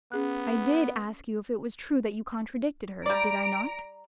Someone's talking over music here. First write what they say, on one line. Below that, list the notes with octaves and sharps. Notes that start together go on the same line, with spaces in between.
"I did ask you if it was true that you contradicted her, did I not?"
B3 C#4 G#4 F#6
G3 D5 A#5 D7